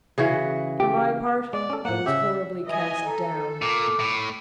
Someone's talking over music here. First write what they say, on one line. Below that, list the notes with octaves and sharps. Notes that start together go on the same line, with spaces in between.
For my part, I was horribly cast down.
C#3 E3 F#4
G4
G#3 D5
C#4 A4
A2 A#3 F#5
C#3 C#4 G4 E5
E3 D#5 E5 G#5
A4 A#5
A#2 D6
A2